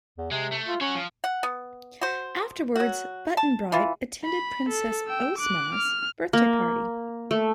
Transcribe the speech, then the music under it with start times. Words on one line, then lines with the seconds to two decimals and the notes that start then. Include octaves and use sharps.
Afterwards, Button-Bright attended Princess Ozma's birthday party.
0.18 E2
0.31 C3 G#3
0.52 A3
0.67 F4
0.81 C#4 F#4 C#5
0.95 F3
1.24 F#5
1.43 B3
2.01 F#4 C5
2.76 F#3 F#4
3.37 A5
3.72 E3 F4
4.24 B5
4.69 A4
5.06 G5 E6
5.38 D6 F#6
5.75 F6
6.33 A#3
7.31 A3